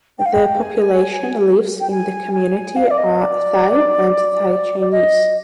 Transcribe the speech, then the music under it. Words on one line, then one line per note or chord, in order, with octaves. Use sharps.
The population lives in the community are Thai and Thai Chinese.
G5
F5
G5
G#5
G5
G#5
G#5
F5
D5
D#5
D5
D5
D#5